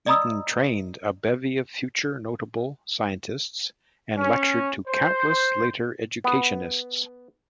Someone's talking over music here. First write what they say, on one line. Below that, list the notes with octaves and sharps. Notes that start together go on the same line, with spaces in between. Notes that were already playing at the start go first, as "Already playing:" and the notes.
Eaton trained a bevy of future, notable, scientists and lectured to countless later educationists.
D5 D#5 A#5 B5 D#6 E6
C#4
C5
B3